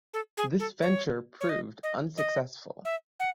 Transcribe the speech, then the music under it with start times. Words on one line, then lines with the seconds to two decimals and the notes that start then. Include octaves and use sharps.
This venture proved unsuccessful.
0.13 A4
0.37 G#4
0.59 A4
0.82 C#5
1.40 C#5
1.49 D#5
1.83 D#5
2.17 D#5
2.85 E5
3.20 F#5